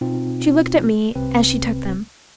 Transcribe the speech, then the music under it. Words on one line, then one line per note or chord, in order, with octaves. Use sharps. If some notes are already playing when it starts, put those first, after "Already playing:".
She looked at me as she took them.
B2 C4 D#4 F4
C2 C3 C4 B4